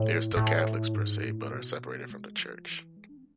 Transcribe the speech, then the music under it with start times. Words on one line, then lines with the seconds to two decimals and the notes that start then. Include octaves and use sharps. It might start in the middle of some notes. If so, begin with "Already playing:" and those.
They are still Catholics per se, but are separated from the Church.
Already playing: A2
0.37 A2
0.95 G#2
1.23 A2
1.53 B2
2.10 G#3
2.39 F3
2.68 E3
2.97 G#3
3.09 D4
3.17 C4